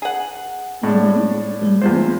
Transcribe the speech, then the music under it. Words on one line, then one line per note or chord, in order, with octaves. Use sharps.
Mhm, mhm.
G#4 F#5
A2 D4
E2 F4 C5